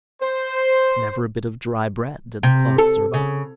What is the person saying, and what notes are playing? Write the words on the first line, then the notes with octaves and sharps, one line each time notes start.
But never a bit of dry bread did the cloth serve up.
C5
C3
A4
C#3